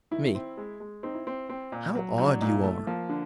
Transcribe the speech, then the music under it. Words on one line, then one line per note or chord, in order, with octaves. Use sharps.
ME: How odd you are!
D#3 E4
C4
G#3
G#3
C4 D#4
E4
C4
C4
A#2
F#3
F#3 D#4
D4
A#2 D#4
F4
E4
A3
F3 A#3
D3